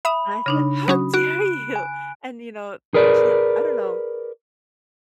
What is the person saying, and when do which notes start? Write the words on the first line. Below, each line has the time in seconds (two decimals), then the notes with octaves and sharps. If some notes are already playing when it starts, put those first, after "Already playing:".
I said, “How dare you? “And, you know, she I don't know,
0.05 E5 B5 D#6
0.46 C#3 D4 D#4 A#6
0.88 F#3 C#4 F#4 D#6
1.14 F#4 F#6 D7
1.76 G#5
2.94 G#4 A#4 B4 D5